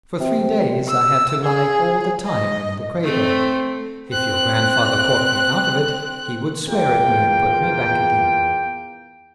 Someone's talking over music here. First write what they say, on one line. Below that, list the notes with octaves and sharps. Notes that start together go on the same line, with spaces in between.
For three days I had to lie all the time in the cradle: if your grandfather caught me out of it, he would swear at me, and put me back again.
C3
E6
G#4
D#5
A3 C4
C4 F#6
E2 A#3 F4 G5